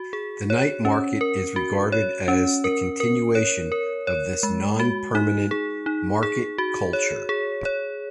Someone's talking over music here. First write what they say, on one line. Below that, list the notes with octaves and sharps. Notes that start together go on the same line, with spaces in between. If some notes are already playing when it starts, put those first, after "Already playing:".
The night market is regarded as the continuation of this non-permanent market culture.
Already playing: F#4
G#4
C#5
C#4
A#4
F#4
C#5
C#4
A#4
A#4
C#5
A#4
C#5
G#3
F#4
D#4
G#4
D#4
G#4
F#4
C#5
G#4
C#5